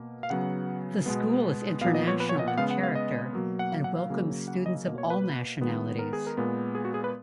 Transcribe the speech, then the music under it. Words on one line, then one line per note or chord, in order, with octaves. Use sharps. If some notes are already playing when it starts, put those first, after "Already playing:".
The school is international in character and welcomes students of all nationalities.
Already playing: B2 A#3
F5
C#3 F#3 B3 F#5
B2 G#3 B3
A#2 F3 B3 F5
D#5
C#5
B4
C#5
D#5
F#5
C#3 G#3 B3 F5
F#5
F5
D#5
B2 F#3 A#3
F#5
F5
F#5
F5
C#3 F#3 A#3
F#5
D#5
B2 A#3 D#5
C#5
B4
D#3 G#3 B3
A#4
G#4
A#4
A#2 G#3 B3
G#4
F#4
G#4
B4